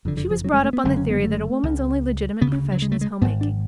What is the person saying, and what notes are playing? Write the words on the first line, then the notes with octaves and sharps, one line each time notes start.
She was brought up on the theory that a woman's only legitimate profession is homemaking.
F#1 F2 D3
D3
F3
F#3
G#3
A3
B3
F#1 F#2 D3 G#3
C#4
B3
A3
C#2 C#3
D2 C#3 B3
C#4
F#3
G#3
A3
G#3
G#1 G#2 B3
D4